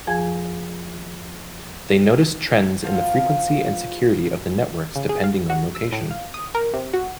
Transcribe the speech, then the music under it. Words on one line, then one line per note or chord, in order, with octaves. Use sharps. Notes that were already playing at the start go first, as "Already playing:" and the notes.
They noticed trends in the frequency and security of the networks depending on location.
F2 F3 G#4 G#5 G#6
F3 B3 F4 F5
C#3
G#4
F5
F#4
E6
A2
F5
D#6
A#4
C3
F#4